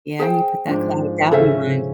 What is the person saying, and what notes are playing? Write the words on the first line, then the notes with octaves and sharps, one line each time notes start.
yeah, you put that cloud of doubt in your mind.
G#4 C5 G5
G#2 F3 D4
C#3 G#4 A4 C5 E5 F5